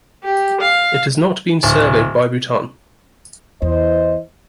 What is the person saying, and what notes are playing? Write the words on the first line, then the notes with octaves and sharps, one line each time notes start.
It has not been surveyed by Bhutan.
G4
F5
D1
E2 E3 C5 D#5